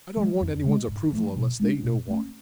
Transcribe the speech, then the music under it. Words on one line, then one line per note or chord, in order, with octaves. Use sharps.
I don't want anyone's approval unless they know why.
F3 G#3
F2
C#3 G#3
G#2
F3 A3
B2
G#3 D4
B2
A3 C#4